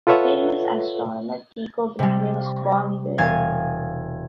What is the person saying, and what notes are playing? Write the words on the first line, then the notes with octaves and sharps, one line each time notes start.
The famous astronomer Tycho Brahe was born there.
F4 A4 B4 C#5 E5 F#5
C3 G3
E1 A#4 F5 G#5 G#6 A6